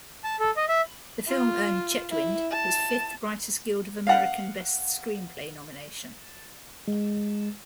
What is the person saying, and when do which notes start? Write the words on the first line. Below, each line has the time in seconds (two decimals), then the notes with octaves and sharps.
The film earned Chetwynd his fifth Writers Guild of American "Best Screenplay" nomination.
0.24 A5
0.40 A4
0.57 D#5
0.69 E5
1.27 F4
2.10 E4
2.51 A5
4.07 F5 F#5
6.88 G#3